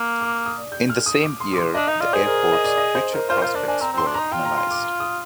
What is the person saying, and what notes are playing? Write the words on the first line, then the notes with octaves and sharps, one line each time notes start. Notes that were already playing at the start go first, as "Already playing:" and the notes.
In the same year, the airport's future prospects were analysed.
Already playing: A#3
D6
D#6
G6
F6
D#6
D6
C6
D6
C6
D4 D#5
D#4 D#5
F4 D5
G#4 C5
A#4
D#5
D5
D#5
C5
A#4
F4 C5
F4 C5
D4 D5
D4 G#5
C4 A#5
C4 C6
D4
A#5
D#4
F4 G5
A#5
C6
D6
D#6